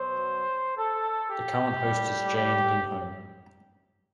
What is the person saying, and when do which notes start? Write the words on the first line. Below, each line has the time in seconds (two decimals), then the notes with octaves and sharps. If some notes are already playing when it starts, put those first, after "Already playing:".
The current host is Jane Lindholm.
Already playing: B2 F#3 C5
0.77 A4
1.30 G4
1.83 A2 G3
2.36 G4